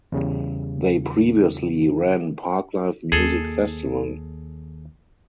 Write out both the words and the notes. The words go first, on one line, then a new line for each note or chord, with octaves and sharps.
They previously ran Parklife Music Festival.
E2 C#3 G3
D#2 G#4 A4